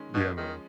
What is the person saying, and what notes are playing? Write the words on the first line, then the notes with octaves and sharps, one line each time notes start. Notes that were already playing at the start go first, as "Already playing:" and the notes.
Yeah, man.
Already playing: D#3 G#3 C#4
B2
D#3 F3 G#3 C#4